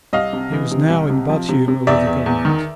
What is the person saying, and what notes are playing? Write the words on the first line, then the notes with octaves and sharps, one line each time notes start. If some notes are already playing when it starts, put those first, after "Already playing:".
He was now in bad humour with the government.
C2 D#5 F5
C3
E3
C3
C2
C3
F3
C3
C3
E2 D5 E5
E2
E2
D#3